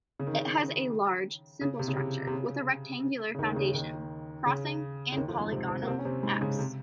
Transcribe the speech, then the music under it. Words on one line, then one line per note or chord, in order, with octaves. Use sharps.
It has a large, simple structure, with a rectangular foundation, crossing, and polygonal apse.
C#3
D#3
C#3
C#3
C3
C#3
C3
C3
C#3
C#3
D#2 D#3
C#3
D#2 D#3
C#3
C#3
D#2 D#3
F2 F3
G#2 G#3
C3 C4
C3 C4
A#3
C3 C4
C#4
C3 C4
G#2 G#3
C#3
C3